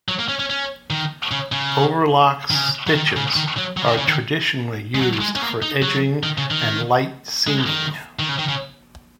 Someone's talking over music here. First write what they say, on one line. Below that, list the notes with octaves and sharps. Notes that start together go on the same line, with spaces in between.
Overlock stitches are traditionally used for edging and light seaming.
F#3
A#3
C#4
C#4
C#4
D#3
C#3
C#3
D#3
C#3
F#3
D#3
C#3
D#3
F#3
F#3
C#3
D#3
C#3
D#3
G#3
F#3
G#3
C#4
A#3
D#4
F#3
D#3
C#3
D#3
G#3
D#3
D#3
C#3
D#3
C#3